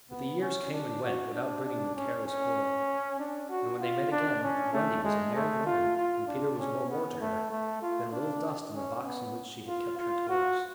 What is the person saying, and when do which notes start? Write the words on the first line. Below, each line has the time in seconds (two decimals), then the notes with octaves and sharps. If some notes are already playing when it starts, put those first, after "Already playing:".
But the years came and went without bringing the careless boy; and when they met again Wendy was a married woman, and Peter was no more to her than a little dust in the box in which she had kept her toys.
0.11 B3
0.41 C#4
0.72 D4
1.03 F#4
1.34 D4
1.65 D4
1.96 C#4
2.27 C#4
3.19 D4
3.50 F#4
3.80 F4
4.12 D4
4.43 C#4
4.73 A3
5.04 G#3
5.35 A3
5.66 F4
5.97 F4
6.27 D4
6.58 C#4
6.89 B3
7.20 A3
7.51 A3
7.82 F4
8.12 D4
8.75 C#4
9.05 B3
9.68 F4
9.98 F4
10.29 F#4